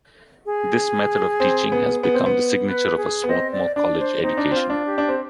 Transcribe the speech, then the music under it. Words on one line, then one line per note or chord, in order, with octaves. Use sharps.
This method of teaching has become the signature of a Swarthmore College education.
G#4
C4
B3
B3
C4
B3
B4
G#4
B3
C4 D#5
D5
D4 D5
C5
C4 D#4
D4
C4 F4
D4
G4
D4
C4